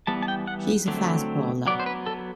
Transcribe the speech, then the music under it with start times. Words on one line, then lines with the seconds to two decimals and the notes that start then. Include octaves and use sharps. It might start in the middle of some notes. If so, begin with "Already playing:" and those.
He is a fast bowler.
0.07 E3 G3 B3 A5
0.22 A5
0.28 G5
0.47 F#5
0.88 D3 F#3 A3 C4
1.67 F#3 D5
1.70 B3
1.80 C5
1.86 B4
2.06 A4